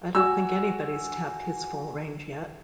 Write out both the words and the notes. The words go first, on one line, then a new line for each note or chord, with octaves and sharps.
I don't think anybody's tapped his full range yet.
F#4 G#5 E6